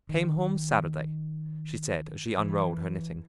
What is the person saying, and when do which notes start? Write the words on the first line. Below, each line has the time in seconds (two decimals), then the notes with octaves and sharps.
"I came home Saturday," she said, as she unrolled her knitting.
0.09 D#3
2.38 E3